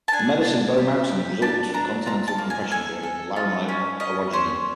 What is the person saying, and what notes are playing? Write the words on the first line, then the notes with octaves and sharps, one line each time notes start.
The Medicine Bow Mountains resulted from continental compression during the Laramide Orogeny.
A5
D4 G#5
D4
G4
G4
D4 A5
D4 A#5
F4 A#5
A5
A#3
G#5
A4 G#5
A4
F4
C#4
C#4 D#5
C#4 C5